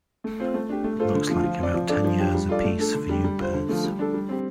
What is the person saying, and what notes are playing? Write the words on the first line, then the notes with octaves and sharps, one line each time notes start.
Looks like about ten years a piece for you birds.
A3
C4 F4 C5
A3
D4 G4
A3
F4 A4 C5
D3
F3 A3 F4
F3
C4 F4 D5
F3
D4 A4 D5
F3
D4 G4
G3
F4 A4 D5
A3
D4 A4
D3
G3 D4 G4
G3
F4 C5
D3
F3 A3
G3
D4 A4
G3
C4 G4